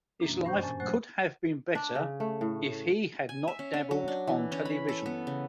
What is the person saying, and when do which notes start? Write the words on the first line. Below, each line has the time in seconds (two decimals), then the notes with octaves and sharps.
His life could have been better if he had not dabbled on television.
0.20 F#2 B2 E3 A#3 C#4 D4
0.45 G2 C5 C#6 G6
0.61 A#2 C#4 G#5 A5 A6
0.80 F#3 A3 C5 F#6 A6
1.75 D4
1.95 C#3
2.20 A3
2.41 A2
3.29 G#5
3.48 E5
3.59 C#4
3.74 C#4
3.91 F#3
4.08 D4
4.27 E3
4.52 C#4
4.65 B5
4.89 A4
5.06 B3
5.27 C#3